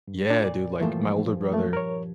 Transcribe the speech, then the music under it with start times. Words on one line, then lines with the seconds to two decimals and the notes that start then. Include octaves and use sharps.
Yeah, dude, like, my older brother
0.08 G2
0.30 D4 F4
0.44 A#2 D5
0.80 G2 E3 F3 A3 A#3
1.51 A3 A#3
1.73 A#4 C#5